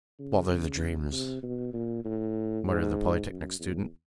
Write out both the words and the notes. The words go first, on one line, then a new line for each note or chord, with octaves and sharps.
"Bother the dreams!" muttered the Polytechnic student.
C#3
C3
B2
A#2
A2
G#2
F#2
E2